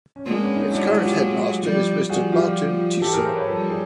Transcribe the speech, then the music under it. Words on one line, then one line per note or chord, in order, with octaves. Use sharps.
Its current Headmaster is Mr Martin Tissot.
C#4
G#3 A#3 C4 D4
B3 C#4
C#4 D#4
F#3 G#3 D4 E4
E4 F#4
F4 G4
F3 G3
F3 G3 F#4 G#4
F4 G4
E3 F#3 G4 A4
G#4 A#4
A#4 C5
B4 C#5
F3 G3 A4 B4
G#4